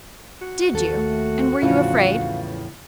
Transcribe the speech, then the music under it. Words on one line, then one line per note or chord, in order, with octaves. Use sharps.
"Did you? and were you afraid?"
F#4
D#2 A4
A3
E2 A2 C#3 E3 F3 D4 F5